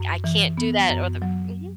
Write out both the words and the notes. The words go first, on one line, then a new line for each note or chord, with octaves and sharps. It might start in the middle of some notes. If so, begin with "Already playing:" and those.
I I can't do that, or the mhm.
Already playing: F#2
E3
B3
F#2
F#3